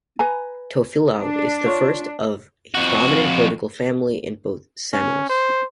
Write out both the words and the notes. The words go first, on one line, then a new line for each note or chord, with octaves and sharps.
Tofilau is the first of a prominent political family in both Samoas.
B4 G#5 A#5
D4
F4 C#5
F2 F#4
C#4
C5